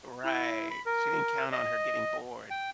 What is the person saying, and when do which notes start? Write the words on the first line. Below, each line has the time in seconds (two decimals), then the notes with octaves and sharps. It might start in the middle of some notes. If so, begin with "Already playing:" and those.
Right. She didn't count on her getting bored.
0.24 E4
0.71 B5
0.86 A#4
1.52 D#5
2.51 G5